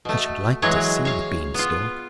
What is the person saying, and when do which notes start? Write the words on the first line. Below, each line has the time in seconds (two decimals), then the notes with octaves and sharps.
"I should like to see the bean-stalk."
0.05 B2 A3
0.62 E3 F#3 G#3 C#5
1.05 C#5 F5
1.54 B3 F4